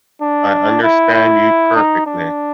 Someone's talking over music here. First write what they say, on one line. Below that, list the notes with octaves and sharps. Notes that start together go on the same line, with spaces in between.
I understand you perfectly.
D4
E4
E4
D#4
D4